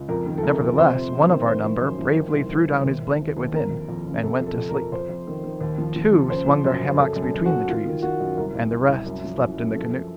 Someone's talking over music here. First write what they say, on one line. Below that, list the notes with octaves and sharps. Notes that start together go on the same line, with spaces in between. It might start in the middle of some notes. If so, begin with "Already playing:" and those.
Nevertheless, one of our number bravely threw down his blanket within, and went to sleep; two swung their hammocks between the trees, and the rest slept in the canoe.
Already playing: C#2
F2 A#4
D#3
A4
C3 A#4
F2
C3 C5
F2
F2
D#3
F3 C5
F3
F#2
F3
D#3
C2
C2
C2
D#2
D#2
D#2
D#2
F3 A#4
F2
F2
C#3
C3 A4
F2
A4
F2
A#4
F2
F2 C5
F2
D#3
D#3
D#2
F3
F3
F3
C#3 C5
F3
F#2
C#3
F#2 A4
F#2
A4
F#2
F#4
F#2
D#3 F4
D#3
D#3 F#4
F#2
C2 A#4
C2
C2
C2
F#2
F3
F#2
F#2
F3 A4